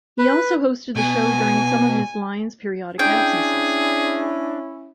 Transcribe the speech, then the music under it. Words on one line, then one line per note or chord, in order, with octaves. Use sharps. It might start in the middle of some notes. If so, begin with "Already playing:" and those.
He also hosted the show during some of Ms. Lyons' periodic absences.
B4
B2 G#5
C#4 D4 E4 G#4 G5